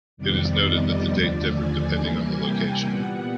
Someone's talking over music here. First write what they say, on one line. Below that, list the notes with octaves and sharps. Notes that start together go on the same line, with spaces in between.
It is noted that the date differed depending on the location.
F2 C3 D#3 G3 B3 D5
D#5
D#2 D3 F3 A3 D5
G#5
C3 E3 G3 A#3
G5
A#2 G3 B3 F#5